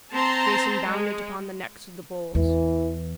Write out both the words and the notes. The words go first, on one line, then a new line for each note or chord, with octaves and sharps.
Jason bound it upon the necks of the bulls.
C4 A5 A#5 C6
G#3
E2 E3